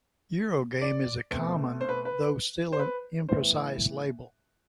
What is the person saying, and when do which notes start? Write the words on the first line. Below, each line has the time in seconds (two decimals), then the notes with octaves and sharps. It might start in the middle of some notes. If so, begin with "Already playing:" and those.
Eurogame is a common, though still an imprecise, label.
0.82 D5
1.31 B2 A3 C4
1.81 C5
1.89 B4
2.05 B4
2.73 C5
2.79 B4
3.29 A2 E3 B3 C5